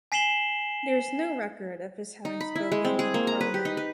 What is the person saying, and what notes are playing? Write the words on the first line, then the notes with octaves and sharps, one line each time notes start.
There is no record of his having spoken in Parliament.
G#5 B6 C7 E7 F#7 G7
D#4
B5
E4
G#3
C4
G#4
A#3
A#5
B4
G4
D#4
B4